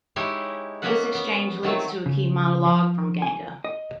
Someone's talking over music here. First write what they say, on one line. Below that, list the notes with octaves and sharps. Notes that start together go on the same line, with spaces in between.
This exchange leads to a key monologue from Ganga.
G#3 D#4 E4 G4 C#5
A#3 B3 C#4 F#4 B4 F#5
B3
D#3 F#3 A3 C4
C#3
F3
G#5
D#5